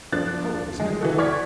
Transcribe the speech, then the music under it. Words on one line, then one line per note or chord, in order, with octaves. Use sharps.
"Cold, isn't it?"
F3 D4 F#6 A6
G#3
E3 F#4 A4
D5 C#6 F6 G#6 B6